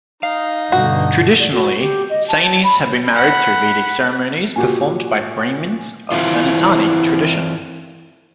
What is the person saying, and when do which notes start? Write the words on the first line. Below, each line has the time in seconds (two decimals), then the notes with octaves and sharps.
Traditionally, Sainis have been married through Vedic ceremonies performed by Brahmins of Sanatani tradition.
0.23 D#4 F5
0.72 G2 B2 D3 F#4
1.39 D5
1.53 F#4
1.79 G4
2.11 D#5
2.28 A5
2.64 B5
3.15 F#5 B5
4.56 A#2 F#4 G4 G#5
6.12 E3 C4 E4 F4